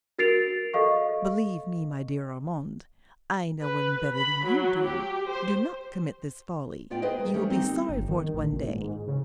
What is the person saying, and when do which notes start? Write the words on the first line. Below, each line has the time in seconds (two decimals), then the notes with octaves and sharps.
Believe me, my dear Armand, I know women better than you do; do not commit this folly; you will be sorry for it one day.
0.19 F#4 A#4 A6 C7 D7 F7
0.74 A4 D#5 F5 C#6
3.61 B4
4.15 B5
4.46 F#3
4.85 G4
5.28 C5
6.90 A2 B3 F4 D5 G5
7.02 G#4 B4 C5 D#5 G5
7.20 A#3
7.34 D#3 G3 A3 C#4 D4
7.50 C4 D#4 G4
7.89 G1
8.09 D#3
8.34 A1
8.52 A#2
8.67 G#2
9.08 C#3